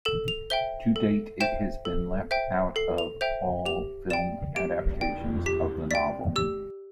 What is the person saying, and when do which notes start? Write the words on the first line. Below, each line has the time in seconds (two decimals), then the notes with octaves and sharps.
To date, it has been left out of all film adaptations of the novel.
0.05 A4 E7
0.28 F7
0.50 C5 E5 G5 G7
0.96 A4
1.40 C5 E5 G5 E7
1.85 A4
2.31 C5 E5 G5
2.76 A4 C7
2.98 F7
3.21 C5 E5 G5 F7
3.66 G4 F7
4.10 D5 G5 E7
4.56 G4 D7
5.01 D5 G5
5.46 G4 B6
5.91 D5 G5 B6
6.36 G4 E6